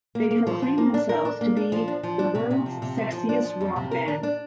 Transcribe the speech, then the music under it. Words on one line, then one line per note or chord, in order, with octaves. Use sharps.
They proclaim themselves to be "The World's Sexiest Rock Band".
A#3
A#3
F3
F3
A#3
D4
A#4
D4
A#3
D4
F3
D4
F3
D4
C3
C3
F3
C3
F3
F3
D4
F3
F2
C3
A#4
D4
D4